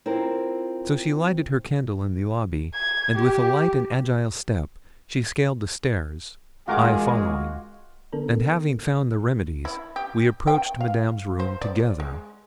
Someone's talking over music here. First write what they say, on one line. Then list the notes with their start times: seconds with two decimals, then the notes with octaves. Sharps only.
So she lighted her candle in the lobby, and with a light and agile step she scaled the stairs, I following; and having found the remedies, we approached Madame's room together.
0.06 C4 E4 F4 A#4
2.74 G#6
3.16 G4
6.68 A1 G#3 F4 F#4 G#4 A#4 D6
8.13 D3 B3 D4 A4 A#4
9.65 E4
9.96 G4
10.47 G5
10.81 F5
11.40 C5
11.61 D5
12.00 G#3